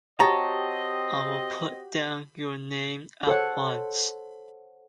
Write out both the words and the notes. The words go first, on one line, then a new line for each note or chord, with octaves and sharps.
I will put down your name at once.
C4 F#4 G4 C#5 D#5 A5 A#5
A4 C5 C#5 F#5